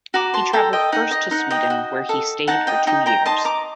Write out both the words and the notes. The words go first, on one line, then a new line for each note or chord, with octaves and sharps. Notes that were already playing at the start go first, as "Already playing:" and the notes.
He traveled first to Sweden, where he stayed for two years.
F#4 A#5 D6
A5 C6
A4 G5 A#5
D#5 G5
D#4 F#5
D#5
D#4 F#5
D#5 G5
F#4
A4
D#4 F#5 A5
D#5 G5
D#4 D#5 G5
G5 A#5
D#5 A5 C6
A#5 D6